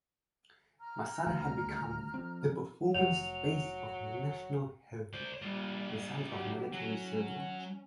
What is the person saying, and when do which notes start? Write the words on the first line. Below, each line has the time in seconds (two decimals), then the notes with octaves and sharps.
Masada had become "the performance space of national heritage", the site of military ceremonies.
0.80 A#5 F6
1.27 D#1 D2 B2
2.14 F3 C4
2.94 F1 F#3 C#5 F#5 F7
5.13 C5 D5
5.42 G3 A#3 D4 F4
6.28 F#3 G4
6.72 F#3 C#4